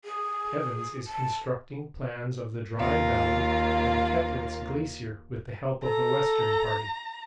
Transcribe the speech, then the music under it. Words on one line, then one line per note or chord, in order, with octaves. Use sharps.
Evans is constructing plans of the Dry Valley and Koettlitz Glacier with the help of the Western Party.
G#4
A5
D#2 A#3 F4
A4 A#5